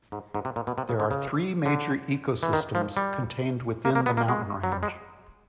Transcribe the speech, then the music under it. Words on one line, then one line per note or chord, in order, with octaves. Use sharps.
There are three major ecosystems contained within the mountain range.
G#2
G#2
C3
A#2
B2
C3
C#3
D3
C#3
D3
E3
D#3
F3
G3
A#3
A#3
B3
A#3
G#3
F#3
G3
G#3